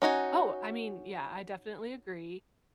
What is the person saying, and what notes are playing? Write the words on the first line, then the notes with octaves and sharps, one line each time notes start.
Oh, I mean, yeah, I definitely agree.
C#4 D#4 F#4 G#5